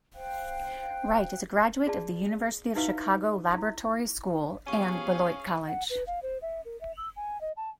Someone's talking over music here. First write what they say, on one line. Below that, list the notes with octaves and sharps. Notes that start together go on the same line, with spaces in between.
Wright is a graduate of the University of Chicago Laboratory School and Beloit College.
C5 F5 G5 F#6
F4 G#4 D5 A5
D#4 E4 F#4 B4 E5 F5
E4 F4
F3 B3 C#4 G4 G#4 F5 C#6 D#7
F#5
B4
F5
C5
E5
A#4
E5
E6
G#5
D#5
A5